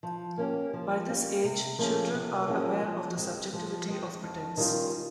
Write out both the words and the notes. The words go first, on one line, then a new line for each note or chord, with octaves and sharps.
By this age, children are aware of the subjectivity of pretense.
F3
A#3 C#4 G4
F3
A#3 C#4 G4
C3
F3 A#3 C#4 G#4
C3
F3 A#3 C#4 G#4
F3
G#3 C4
F3
G#3 C4
F2
D#3 G3 C#4 F4